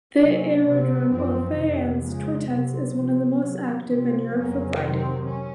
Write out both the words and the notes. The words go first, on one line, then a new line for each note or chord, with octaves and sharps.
The aerodrome of Fayence-Tourettes is one of the most active in Europe for Gliding.
C3 F#3 A#3 C#4
C3 F#3 C4
F#2 F3 C4
F2 C3 D#3
C#3 F3 G#3
C3 F#3 C4
C3 F3 C4
C3 D#3 F#3
C3 F3 C4
F2 C#3 F#3 A#3 C#4
C3 D#3 F#3 C4
C#4